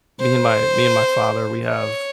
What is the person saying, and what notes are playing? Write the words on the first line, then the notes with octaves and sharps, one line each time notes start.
me and my me and my father, we have
C5
C#5